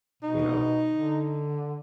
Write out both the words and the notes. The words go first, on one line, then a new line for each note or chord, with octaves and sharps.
you know,
B2 D#4
D3